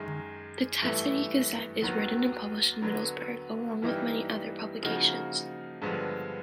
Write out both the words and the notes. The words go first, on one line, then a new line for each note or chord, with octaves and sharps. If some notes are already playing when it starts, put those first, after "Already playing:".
The Teesside Gazette is written and published in Middlesbrough, along with many other publications.
Already playing: F#2 D#3 G#3
G2 E3 A3
D#2 D#3 F#3 B3
D3 F#3 B3
G2 E3 G3 A#3 D#4
C#3 F3 A#3 D#4 F#4
G2 D3 F3 G#3 B3